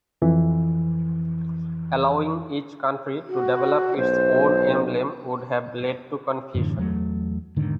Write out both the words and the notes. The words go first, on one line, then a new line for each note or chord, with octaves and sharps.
Allowing each country to develop its own emblem would have led to confusion.
F2 E3
F#4
B1 C5
F#2 A2 D3 E3
E2 F#3 G3 A3
E1 G#2 D3 D#3